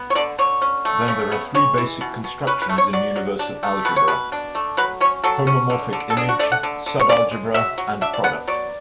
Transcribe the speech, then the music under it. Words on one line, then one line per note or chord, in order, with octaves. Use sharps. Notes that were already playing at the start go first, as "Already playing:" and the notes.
Then there are three basic constructions in universal algebra: homomorphic image, subalgebra, and product.
Already playing: B3
C#5
D3 D5
D3 C#5
C#4
A3
C#3
B3
G#3 C#5
E3
B2
B2
C#4 B4
B4
A3
C#5
F#3 D5
F#3
D4
A3
B2 B4
C#5
B2 B4
D4
A3
F#3 B4
C#4 C#5
F#3 A4
C#4
D3
D3
A4
D4 G#4
F#4
A3 D5
F#5
D3
D3
C#5
C#4 D5
G#3
F#3 E5
F#3
D4 E5
D5
B3 F#5
F#3 D5